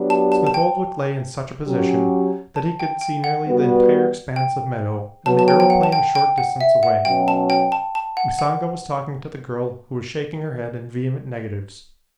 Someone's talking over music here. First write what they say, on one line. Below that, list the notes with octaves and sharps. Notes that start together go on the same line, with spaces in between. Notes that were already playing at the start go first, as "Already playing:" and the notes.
Smith-Oldwick lay in such a position that he could see nearly the entire expanse of meadow and the aeroplane a short distance away. Usanga was talking to the girl who was shaking her head in vehement negatives.
Already playing: F#3 B3 D4 G4
A5
A5
A5
G5
F#3 C#4 G4
A5
G5
G5
F#5
G3 B3 F#4
G5
F#3 B3 F#4 A5
A5
G5
G5
F#5
A5
G5
G5
F#5
E5
F#5
B2 F#3 C#4 G5
A5
G5
A5
A5
F#5
F#5